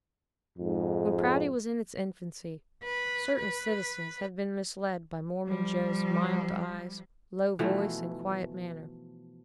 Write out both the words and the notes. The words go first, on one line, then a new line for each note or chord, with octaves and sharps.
When Prouty was in its infancy, certain citizens had been misled by Mormon Joe's mild eyes, low voice and quiet manner.
F2 G#2
B4
B4
F3 G3
B2 E3 F3 A3